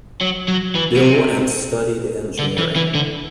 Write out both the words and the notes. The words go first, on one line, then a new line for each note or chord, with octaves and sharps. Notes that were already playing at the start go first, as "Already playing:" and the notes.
Bill and studied engineering.
F#3
F#3
E3
B2
C3
D3
E3
E3
D3